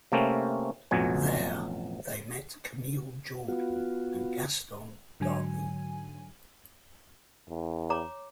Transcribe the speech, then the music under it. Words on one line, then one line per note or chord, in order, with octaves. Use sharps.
There, they met Camille Jordan and Gaston Darboux.
C3 A3 A#3 C4 C#4
A1 F2 B2 F#3 G#5
B3 F4 F#4
G#2 D3 F#3 G#5
E2
C#5 A#5 D6